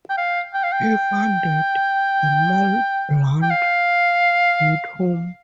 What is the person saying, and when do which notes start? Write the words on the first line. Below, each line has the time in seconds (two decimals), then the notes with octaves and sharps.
He founded the Mel Blount Youth Home.
0.10 G5
0.17 F5
0.54 G5
0.63 F5
0.72 G5
3.42 G5
3.50 F5